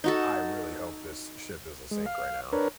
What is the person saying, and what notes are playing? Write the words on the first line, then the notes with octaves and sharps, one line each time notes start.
"I really hope this ship doesn't sink right now."
D#4 F#4 A4
G#3
F5
D4 A#4 B4 C#5